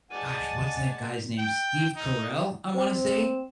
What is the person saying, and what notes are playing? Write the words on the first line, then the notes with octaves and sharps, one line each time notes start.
gosh, what's that guy's name? Steve Carell, I wanna say?
G#3 D5 F#5 G#5 A5 D#7
G5
D#4
C4 C5
E7